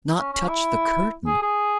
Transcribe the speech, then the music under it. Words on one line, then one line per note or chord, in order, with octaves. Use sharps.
Not touch the curtain!
C#4
C#4
E4
G#4
G#4